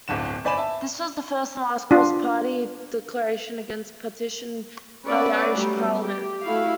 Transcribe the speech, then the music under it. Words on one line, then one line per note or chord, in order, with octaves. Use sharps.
This was the first and last cross-party declaration against partition by the Irish parliament.
D1 G1 D3 E7
G1 C5 D5 G#5 B5 E7
E5 A5
D4 F4
B3 C#4 B4 D5 E5 F#5
F#3 G3 A3 B3
G4
A3 E4 F#4 F5